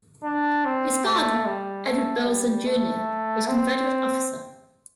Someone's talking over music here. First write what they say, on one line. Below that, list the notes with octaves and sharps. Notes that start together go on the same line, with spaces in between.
His father, Edward Burleson, Junior was a Confederate officer.
D4
C4
A3
G3
A3
G3
A3
C4